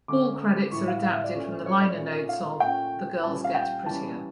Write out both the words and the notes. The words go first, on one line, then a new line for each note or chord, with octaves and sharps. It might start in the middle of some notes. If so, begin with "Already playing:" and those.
All credits are adapted from the liner notes of "The Girls Get Prettier".
D3 A3 C#4 D6
A2 E3 G3 C#6
F5
F5
E5
D5
A#2 A3 C#4
C#5
D5
A#2 A3 C#4
F5
A#2 A3 C#4 G5
A#2 G3 C#4 A5
F5
G5
E3 G3 C#4 A5